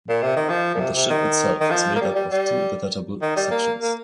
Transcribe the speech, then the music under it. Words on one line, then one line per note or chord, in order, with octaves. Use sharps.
The ship itself is made up of two detachable sections.
A#2
C3
D#3
F3
A#2
C3
C3
D#3
D#3
F3
A#3
G3
G3
G3
D#3
G3
A#3
A#3